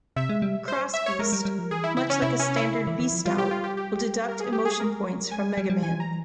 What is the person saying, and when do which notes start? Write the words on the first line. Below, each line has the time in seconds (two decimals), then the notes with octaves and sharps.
Cross Beast, much like a standard Beast Out, will deduct emotion points from MegaMan.
0.16 C3 E5
0.29 G#3
0.42 G3
0.68 C5
0.94 E5
1.06 C#5
1.19 G#3 A#4
1.33 G3
1.45 G3
1.59 F3
1.71 E3 G#4
1.84 E4
1.97 C#3 E4
2.10 C#4
2.22 C3 E4
2.40 C#4
2.56 E4
2.74 C#3
2.87 E3
3.00 E3
3.13 F3
3.25 G3 F4
3.38 G4
3.51 F4
3.64 G4
3.77 G4
4.29 A#4
4.40 G#4
4.53 G4
4.65 G#4
4.80 A#4
5.31 G#3 G#5
5.44 G3
5.58 G3
5.70 G3
5.83 E3 G#5
6.00 A#5